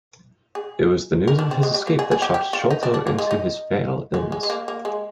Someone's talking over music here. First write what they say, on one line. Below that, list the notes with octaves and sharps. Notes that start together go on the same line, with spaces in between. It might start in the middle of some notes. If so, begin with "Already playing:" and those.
It was the news of his escape that shocked Sholto into his fatal illness.
G#4
A#4
D4
C4
G#3
G3
A#3
G#4
G#4
G4
G4
F4
D#4
D4
D4
A#3
G#3
D#4
G#3
G#3
G#3
A#3
A#3
G#3